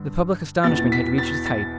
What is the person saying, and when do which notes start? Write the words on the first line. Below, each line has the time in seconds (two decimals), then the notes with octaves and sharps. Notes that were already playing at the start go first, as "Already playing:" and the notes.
The public astonishment had reached its height.
Already playing: G2 D3
0.64 E2 B2 A6
0.92 B6
1.18 A6
1.46 A6